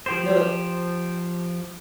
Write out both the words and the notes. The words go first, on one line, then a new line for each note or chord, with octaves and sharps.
No, that
F3 G4 C5